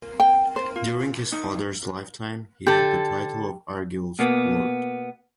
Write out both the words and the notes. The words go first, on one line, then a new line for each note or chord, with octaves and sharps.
During his father’s lifetime, he had the title of Arguel’s Lord.
G5
C5
F4
D#4
D3 G4 A4
B2 A#3 B3